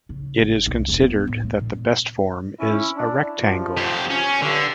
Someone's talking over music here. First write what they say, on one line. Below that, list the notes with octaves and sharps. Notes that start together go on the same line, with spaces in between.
It is considered that the best form is a rectangle.
C#3
G#1
C2
E1
B3
A2
A3
A#2
C#4 E4
D4
C3 F3
F2 G4
C#4
G2 D3